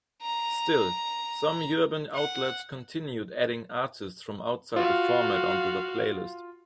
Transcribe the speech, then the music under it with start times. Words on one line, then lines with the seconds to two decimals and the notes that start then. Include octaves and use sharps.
Still, some urban outlets continued adding artists from outside the format onto their playlist.
0.22 A#5
2.15 F#5
4.76 F4 F#4 F5